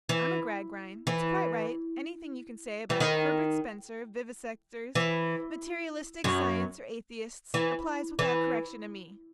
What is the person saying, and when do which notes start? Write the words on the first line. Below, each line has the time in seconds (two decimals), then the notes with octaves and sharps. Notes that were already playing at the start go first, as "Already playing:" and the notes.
I'm a Gradgrind--it's quite right--anything you can say about Herbert Spencer, vivisectors, materialistic Science or Atheists, applies without correction to me.
0.09 E3
1.07 E3
2.90 E3
3.00 D#3
4.95 E3
6.24 F#2 F#3
7.54 E3
8.19 E3